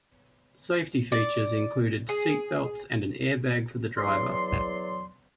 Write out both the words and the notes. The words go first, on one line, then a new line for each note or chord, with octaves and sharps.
Safety features included seat belts and an airbag for the driver.
D5
G#4
E2 F#3 D5 C6